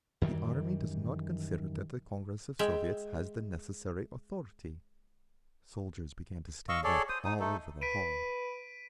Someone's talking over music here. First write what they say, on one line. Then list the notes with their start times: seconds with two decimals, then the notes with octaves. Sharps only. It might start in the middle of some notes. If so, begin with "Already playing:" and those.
"The Army does not consider that the Congress of Soviets has the necessary authority--" Soldiers began to stand up all over the hall.
0.21 F#2 D#3 E3 G3
2.59 G#3 E5 G5
6.69 D#5 F5 C#6 E6
6.84 G#4 A4 C#5 D5
7.09 C5 D#6
7.25 D#4 D#6
7.40 A3 D#4 A4
7.81 B4 B6 D7 D#7